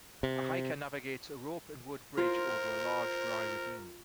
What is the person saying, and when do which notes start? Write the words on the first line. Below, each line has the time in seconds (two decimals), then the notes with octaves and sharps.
A hiker navigates a rope and wood bridge over a large dry ravine.
0.23 C3
2.17 F4 A#4 C5